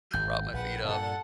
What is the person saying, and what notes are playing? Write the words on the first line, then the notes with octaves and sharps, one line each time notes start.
prop my feet up,
G#1 G6
A#1 B4 F#5
G2 A#2 A4 F#5